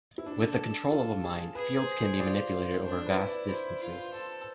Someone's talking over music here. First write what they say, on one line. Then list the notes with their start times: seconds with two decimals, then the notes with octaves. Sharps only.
With the control of a Mind, fields can be manipulated over vast distances.
0.18 E4
0.26 D4 A4
0.91 F4
1.24 G#4
1.55 G#4 B4
1.77 C5
1.98 C5
2.13 C5
2.20 F4 D5
2.84 D4 C5
3.06 B4
3.17 E4
3.28 D5
3.49 E4 C5
3.81 F4
3.92 C5
4.13 A4